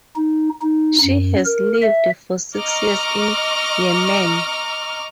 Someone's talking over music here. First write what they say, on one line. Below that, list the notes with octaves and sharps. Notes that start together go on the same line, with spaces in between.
She has lived for six years in Yemen.
D#4
D#4
F#2
A#4
E5
D#5 A#5 C#6 D6 F6